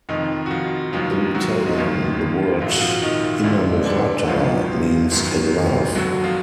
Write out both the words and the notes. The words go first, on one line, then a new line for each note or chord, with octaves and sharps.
In Italian, the word "innamorata" means "in love".
F1 F2 D#3 F3 D#4
F#4
F3 F4
F1 D#2 D#3 F3 F#3 F4
F#3 F#4
D#4
G#1 F#2 D#3 F3 F#3 F4
A#1 G#2 F3 F4
F#4
F3 F4
D#3 D#4
D2 D3 F3 D4
D3 D4
G#1 F#2 D#3 F3 F#3 F4
G#1 F#2 D#3 F#3
D#2 D3 F#3 F#4
F3 F4